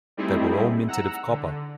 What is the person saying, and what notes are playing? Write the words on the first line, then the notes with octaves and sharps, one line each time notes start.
They were all minted of copper.
G3 A3 C4 D#4 E4 G#4
F#5 A#5 E6
D3